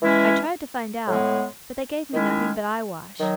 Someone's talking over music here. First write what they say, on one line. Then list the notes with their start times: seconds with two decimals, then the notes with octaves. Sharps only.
I tried to find out, but they gave me nothing but eyewash.
0.02 E3 G#3 C#4 E4
1.07 A2 G#3 B3
2.13 D#3 G#3 C#4 E4
3.20 D#3 F#3